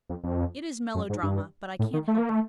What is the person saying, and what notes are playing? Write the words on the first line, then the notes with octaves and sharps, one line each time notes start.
It is melodrama; but I can't help it.
F2
F2
F#2
G#2
G2
A2
D#3
A3
A#3
A3